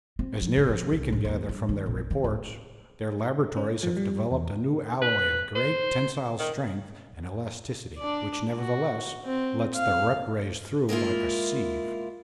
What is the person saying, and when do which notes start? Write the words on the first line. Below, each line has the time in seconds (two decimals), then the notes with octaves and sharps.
As near as we can gather from their reports, their laboratories have developed a new alloy of great tensile strength and elasticity which nevertheless lets the rep rays through like a sieve.
0.19 C4
0.42 F3
0.57 G#2
0.69 F3
0.93 C2
1.13 A1
1.25 D#2
1.49 G2
1.69 D#3
1.86 A#1
2.11 D#3
2.24 D1
3.57 C#4
3.83 F3
3.97 G3
4.31 E2
5.02 B4
5.55 C5
6.39 D#3
7.98 D4 D5
8.57 F#4
9.25 C4
9.76 F5
10.89 G#3 A#3 E4 F4